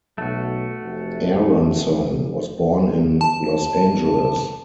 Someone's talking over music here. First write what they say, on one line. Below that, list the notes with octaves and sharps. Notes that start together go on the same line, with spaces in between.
Aaronson was born in Los Angeles.
B1 A3 F#4
F1
A5